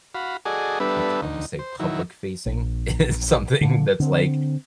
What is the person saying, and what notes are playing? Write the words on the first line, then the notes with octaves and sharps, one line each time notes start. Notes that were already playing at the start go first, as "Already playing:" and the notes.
let's I'll just say public facing. It's something that's like
F#4 F5 B5
F#4 G#4 A4 D5 D#5 G#5
G3 B3 D4 A4 B4 E5
D2 D#4
C5
D#3 F#3 E4
A#1
A#2 D3
D3 C4